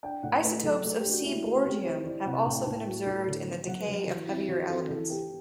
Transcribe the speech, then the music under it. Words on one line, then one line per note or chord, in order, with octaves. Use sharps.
Isotopes of seaborgium have also been observed in the decay of heavier elements.
D4 G5
A2 F#5
A3 B4
F#3 A4
A3 A4
G4
D4
F#4
A3 E4
A3 F#4
C4 G4
E4 C5
E4 D5
C3 F#5
A2 G5
A5
A2
G5
F#4
A2
D3
B3
F#3 F#5
B4
F#3
G4
E3 F#4
C4 E4
E3 F#4
C4 A4
E3 A4
B3 G4